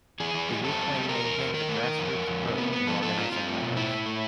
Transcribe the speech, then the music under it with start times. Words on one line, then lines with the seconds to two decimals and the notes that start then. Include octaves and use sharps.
The youth wing maintains a grassroots approach in organising members.
0.20 E3 G#4
0.34 E3
0.49 G3
0.64 F#2 A4
0.79 C4
0.94 G3
1.03 A4
1.09 C3 A#4
1.24 E2
1.39 E2
1.54 D#3 A#4
1.69 A3
1.83 D#3
1.99 F2
2.13 F2
2.27 F2
2.43 C3
2.58 B3
2.72 B3
2.87 F3 A4
3.02 F3 A4
3.18 A#3 F4
3.32 C4 F4
3.47 A3
3.62 B2
3.76 A2 E4
3.91 A2
4.06 A3